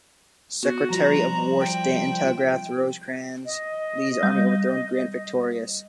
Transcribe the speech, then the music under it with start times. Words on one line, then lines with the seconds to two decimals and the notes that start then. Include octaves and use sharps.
Secretary Of War Stanton telegraphed Rosecrans, Lee's Army overthrown; Grant victorious.
0.63 B3 F#4
0.90 F3 G3 F4 A#5
1.60 G5
3.45 D#5
4.23 G3